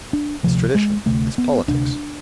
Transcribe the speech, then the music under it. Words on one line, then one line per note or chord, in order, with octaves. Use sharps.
It's tradition--it's politics.
D4
D2 C3 F3
G#3
D2 C3 A3
B3
D2 C3 D4